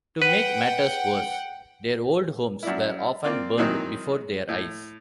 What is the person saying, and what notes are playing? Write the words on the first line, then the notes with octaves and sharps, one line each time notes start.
To make matters worse, their old homes were often burned before their eyes.
B4 F#5 G5
F#2 D4 E4
A#3 C4 F4 D5
D#3 E3 F#3 C4 D#4
A2